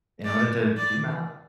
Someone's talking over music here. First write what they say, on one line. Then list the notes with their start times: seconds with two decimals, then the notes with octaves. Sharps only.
in order to do math.
0.24 D5
0.77 D5